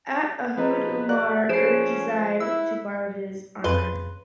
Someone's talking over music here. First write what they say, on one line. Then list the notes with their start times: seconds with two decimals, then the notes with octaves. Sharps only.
At Uhud Umar urged Zayd to borrow his armour.
0.57 F3 G#4 B4 D#5 A#5
1.09 F#4 D5 F#6
1.49 F3 C#4 G#4 B4 C5 C7 D7 E7
2.40 E4 E6
3.64 F2 C#3 B4 C6